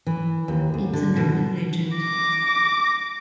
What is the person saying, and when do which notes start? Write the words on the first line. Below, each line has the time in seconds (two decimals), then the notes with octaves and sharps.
It’s an urban legend.
0.07 E3
0.48 D#2
0.74 D2
0.93 D3
1.16 B2
1.97 D6 A#6